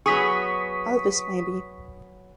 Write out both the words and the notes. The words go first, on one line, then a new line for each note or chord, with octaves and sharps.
Elvis maybe.
F#3 B3 G#4 C#6 D#6 B6